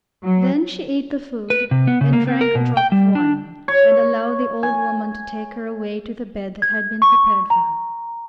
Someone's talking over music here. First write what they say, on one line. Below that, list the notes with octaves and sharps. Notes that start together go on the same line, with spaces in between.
Then she eat the food, and drank a drop of wine, and allowed the old woman to take her away to the bed that had been prepared for her.
F#3
B4
C3
B3
C#3
A#3
C4
A#4
B2
G5
G3
D4
C#5
G#5
G#6
C#6
A#5